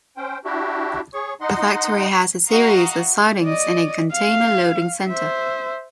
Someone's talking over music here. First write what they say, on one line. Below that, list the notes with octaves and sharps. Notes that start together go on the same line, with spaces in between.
The factory has a series of sidings and a container loading centre.
C#4 C5 G5
D4 E4 F#4 G4
G#4 C#5 C#6
D#4 D#5 F#5 C6
F#4 D#5 F5 A#5
D5 D#5
F5
C5 E5